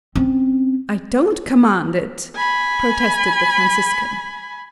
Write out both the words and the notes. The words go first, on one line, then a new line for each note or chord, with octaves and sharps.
"I don't command it!" protested the Franciscan.
C4 C#4
G#5 B5